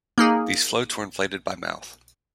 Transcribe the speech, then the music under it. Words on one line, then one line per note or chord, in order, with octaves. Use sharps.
These floats were inflated by mouth.
A#3 D#4 G#4